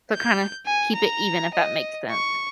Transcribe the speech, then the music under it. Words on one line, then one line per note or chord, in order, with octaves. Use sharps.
So, kinda keep it even if that makes sense.
G6
G#5
A#5
D#5
C#6